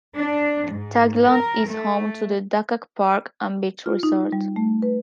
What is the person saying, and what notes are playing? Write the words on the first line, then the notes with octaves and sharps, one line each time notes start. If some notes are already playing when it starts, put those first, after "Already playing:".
Taguilon is home to the Dakak Park and Beach Resort.
D4
G#2
A#4
A3
F4
D#4
G3
A3
B4